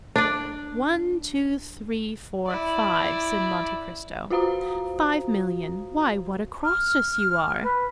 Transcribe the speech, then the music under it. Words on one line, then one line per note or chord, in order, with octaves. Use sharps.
"One, two, three, four, five," said Monte Cristo; "five millions--why what a Croesus you are!"
D4 D5
E4 D5
F4 F#4 C5 F5 A#5 D#6
F6
B4